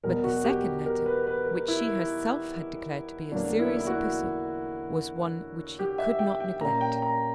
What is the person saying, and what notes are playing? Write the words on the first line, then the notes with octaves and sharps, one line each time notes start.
But the second letter, which she herself had declared to be a serious epistle, was one which he could not neglect.
E2 B2 F#3 A#4
F#4
G4
A#4
B4
B4
A#4
E4
E2 D3 F#3 A#3 D4
E4
E4
F#4
G4
E5
G5
G5
A#2 A#3 C#4 A#5
G5
A#5